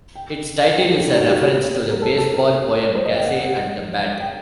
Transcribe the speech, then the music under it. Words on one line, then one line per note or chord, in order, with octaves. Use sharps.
Its title is a reference to the baseball poem "Casey at the Bat".
G5
G5
A4
G4
D#4
F#4
G4
A#4
A4
A4
A#4
C5
D#5
G5
F#5
F#5
G5